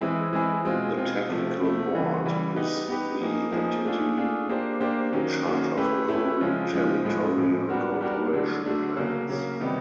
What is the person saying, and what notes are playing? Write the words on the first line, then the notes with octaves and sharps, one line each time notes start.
The Technical Board is the entity in charge of approving territorial cooperation plans.
E3 G#3 C4 E4 G#4
E3 G#3 C4 E4 G#4
B2 G#3 C4 F4
B2 G#3 C4 F4
C3 F3 A3
C3 F3 A3
C#3 E3 G3
C#3 E3 G3
B3 D#4 G4 B4
B3 D#4 G4 B4
F3 A#3 D#4 G#4
F3 A#3 D#4 G#4
A3 D4 F4 G#4
A3 D4 F4 G#4
A#3 D4 G4 C5
A#3 D4 G4 C5
D#3 F#3 A#3 C#4
D#3 F#3 A#3 C#4
A3 C#4 E4 G4 B4
A3 C#4 E4 G4 B4
C#3 F3 G#3 C#4 F4
C#3 F3 G#3 C#4 F4
A2 F3 G#3
A2 F3 G#3
G3 B3 D4 F#4 A#4
G3 B3 D4 F#4 A#4
D3 F#3 A3 D4
D3 F#3 A3 D4
C#3 F#3 A#3 C#4
C#3 F#3 A#3 C#4
C3 D#3 G3 B3 D#4